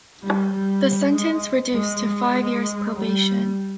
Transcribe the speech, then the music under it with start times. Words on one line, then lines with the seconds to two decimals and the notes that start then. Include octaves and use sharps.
The sentence reduced to five years probation.
0.22 G3
0.52 G3
1.12 G#3
1.74 G#3
2.04 G#3
2.95 G3